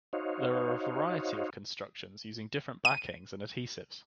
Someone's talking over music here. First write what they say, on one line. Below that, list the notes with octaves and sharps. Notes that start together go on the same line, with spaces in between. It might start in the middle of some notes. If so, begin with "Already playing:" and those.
There are a variety of constructions using different backings and adhesives.
D#4 F#4 C5 C#5 D#5 F5
D#7